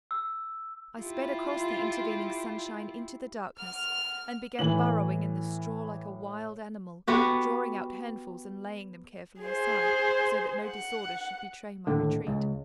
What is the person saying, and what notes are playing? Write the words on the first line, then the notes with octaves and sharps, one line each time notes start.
I sped across the intervening sunshine into the darkness, and began burrowing in the straw like a wild animal, drawing out handfuls and laying them carefully aside, so that no disorder should betray my retreat.
E6
E4 F4 G4
F#5 F6
A2 E3 F#7
B3 F#4 G4
G#4 C5
F#5
D#2 A2 D3
C#2